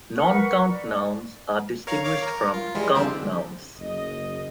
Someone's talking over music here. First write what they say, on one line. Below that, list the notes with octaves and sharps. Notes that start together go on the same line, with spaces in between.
Non-count nouns are distinguished from count nouns.
A#4 B4 F#5 C#6
D5
A#4 C#5 F5
C#5 F5 D6
A#4
F4
E3 G3 G#3
D3 C4 G4
F#1 D#5